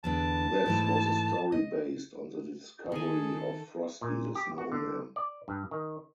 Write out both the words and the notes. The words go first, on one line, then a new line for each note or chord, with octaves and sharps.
This was a story based on the discovery of Frosty the Snowman.
E2 D3 B3 A5
G#2 E3 A3
D#5
D#3 G#4 A4 G#5
A#2
G4
F#4
D3
D5
G2
D#3